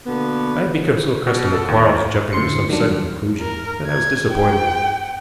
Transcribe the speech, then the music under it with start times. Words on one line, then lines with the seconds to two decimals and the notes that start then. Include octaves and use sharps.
I had become so accustomed to Quarles jumping to some sudden conclusion that I was disappointed.
0.07 B2 D3 A#3 B3
1.27 B2
1.53 A4
1.68 D#2
2.33 A2 D3 C6 C#7
2.69 D#3 F#3 G3 D4
3.40 A#4
3.86 G#6
4.32 G5